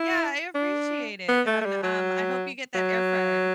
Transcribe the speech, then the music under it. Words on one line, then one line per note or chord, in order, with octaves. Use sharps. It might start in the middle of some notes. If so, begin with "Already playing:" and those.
Yeah, I appreciate it, and, um, I hope you get that air fryer.
Already playing: E4
D4
B3
A3
A3
G3
F#3
F#3